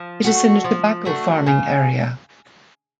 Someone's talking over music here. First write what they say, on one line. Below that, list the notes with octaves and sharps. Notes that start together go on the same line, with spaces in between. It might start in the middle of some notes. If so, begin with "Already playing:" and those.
It is in a tobacco farming area.
Already playing: F3
A3 D4 F#4
F3
A3 D4 F#4
C#3